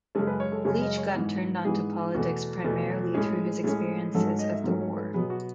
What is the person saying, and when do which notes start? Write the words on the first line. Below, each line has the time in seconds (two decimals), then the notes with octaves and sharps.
Leech got turned onto politics primarily through his experiences of the war.
0.15 F#2 C#3 G#3 C#4 A4
0.27 B4
0.40 C#5
0.52 A4
0.64 F#2 C#3 G#3 C#4 C#5
0.81 D#5
0.97 C#5
1.14 G#2 E3 B3
1.65 G#2 E3 B3 G#4
2.15 E2 B2 A3 F#4
2.64 E2 B2 A3
3.14 A2 G#3 C#4 G#4
3.64 A2 G#3 C#4
4.14 G#2 F#3 A3 C#4 A4
4.27 C#5
4.39 D#5
4.51 E5
4.64 G#2 F#3 A3 C#4
4.81 C#5
4.97 B4
5.14 B2 F#3 B3 G#4
5.30 F#4